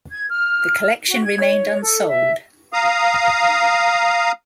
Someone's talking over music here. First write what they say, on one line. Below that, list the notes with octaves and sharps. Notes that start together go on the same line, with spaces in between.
The collection remained unsold.
G#6
F6
F#4
G#6
C#5
A4
E5
F5 A#5 D#6